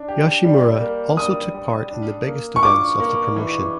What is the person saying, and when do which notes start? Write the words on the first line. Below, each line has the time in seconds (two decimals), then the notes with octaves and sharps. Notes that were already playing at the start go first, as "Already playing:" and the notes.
Yoshimura also took part in the biggest events of the promotion.
Already playing: D4
0.08 G4
0.44 G3
0.80 A#3
1.17 G3 D#6
1.54 G3
1.91 D4
2.27 A#3
2.56 C#6
2.63 F4 D6
3.00 A#3
3.36 E3